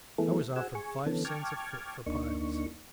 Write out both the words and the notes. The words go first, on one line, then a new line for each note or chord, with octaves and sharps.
I was offered five cents a foot for piles.
E3 A3 B3 E4 G#4 A4
F#4 G#4 C5 F#5 G#5 E6
G#4 G#5 C#6
D3 E3 B3 C#4 A4
G5 A5 C#6 D6 F6 G#6
D2 A#3 D4 D#4 C#6